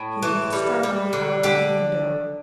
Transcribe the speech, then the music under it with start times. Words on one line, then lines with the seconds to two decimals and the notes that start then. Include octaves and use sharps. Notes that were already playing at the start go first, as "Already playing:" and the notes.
He looked stubbornly out of the window.
Already playing: A2
0.22 E3
0.53 G3
0.83 G3
1.13 D3
1.43 D3 G4